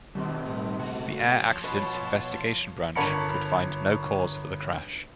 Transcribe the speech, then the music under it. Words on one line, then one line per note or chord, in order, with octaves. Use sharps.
The Air Accidents Investigation Branch could find no cause for the crash.
B2 D#3 G3 C4
A2
C#2 A3 F#4
F3 C#5 A5 C6
B2 B4
G1 A#4 C#5 A5 B5 C#7